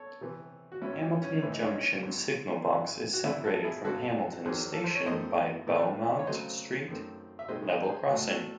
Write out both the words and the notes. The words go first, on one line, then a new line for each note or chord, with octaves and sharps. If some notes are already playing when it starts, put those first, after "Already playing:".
Hamilton Junction Signal Box is separated from Hamilton station by Beaumont Street level crossing.
Already playing: A4 C#5
C3 E3 C4
F#4
G#2 F#3 C4 C#4 E4
D#4
C#4
A2 E3 C4 E4
D#4
C#4
D#4
G#2 F#3 C4
F#2 C#3 E3
F#4
G#2 F#3 C4 E4 G#4
F#4 A4
E4 G#4
F#2 C#3 G#3 C4 F#4 A4
E2 D#3 F#3 G#4 C5
A4
C5
C#5
F#2 D#3 A3 C5 D#5
A2 E3 A3 C4
C#5
C#3 F#3 A3 C4 C5 D#5
F#2 D#3 A3 C4
E5
C3 D#3 G#3 C4 C5 D#5
C5 D#5
G#4 C5
A2 F#3 C4 F#4 A4
F#4 A4